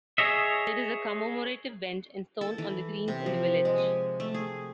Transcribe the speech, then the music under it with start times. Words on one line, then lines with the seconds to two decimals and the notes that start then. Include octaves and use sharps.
There is a commemorative bench and stone on the greens in the village.
0.18 G#4 C#5 D#5 E5
2.41 A4
2.58 E3
3.08 C3
3.26 F3
3.65 G#3
3.78 G#5
4.20 A3
4.34 G#4